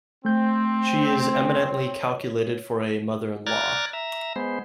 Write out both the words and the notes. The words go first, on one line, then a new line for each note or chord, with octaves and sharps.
She is eminently calculated for a mother-in-law.
A3 C4 G6
C#5
D5 A#5 F6 F#6 G#6 A6
E5 A#5
G#3 B3 C5